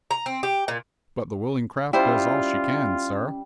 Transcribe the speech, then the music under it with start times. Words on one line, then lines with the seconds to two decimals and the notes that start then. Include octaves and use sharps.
"But the willing craft does all she can, sir."
0.11 A#5
0.26 C4
0.43 G4
0.68 A#2
1.93 G3 C#4 E4 F4 C5 D5 G5